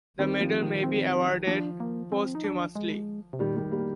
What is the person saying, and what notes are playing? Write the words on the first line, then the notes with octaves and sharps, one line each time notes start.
The medal may be awarded posthumously.
D#3 G3 C4
F3
D#3
C4
F3 D4
A#3
C4
D#4
D4
G#3
C3
A#2 D#3 G3
D#3 G3
G3 A#3